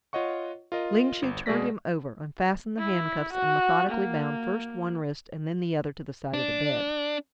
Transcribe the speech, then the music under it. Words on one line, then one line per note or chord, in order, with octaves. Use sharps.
Ling Chu turned him over, unfastened the handcuffs, and methodically bound first one wrist and then the other to the side of the bed.
F4 C#5 D#5 F#5 C#6
F4 A#4 D#5
G1
B2 G#3 G#4 D5 A#6 B6
E4
F#4
A#3
D4